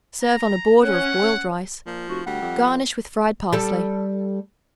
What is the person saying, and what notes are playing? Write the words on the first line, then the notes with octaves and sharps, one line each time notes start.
Serve on a border of boiled rice; garnish with fried parsley.
A#5
C#4 F#5
A#2 F3
F1 F#4
D2 G3 F#5
F2
G3 A4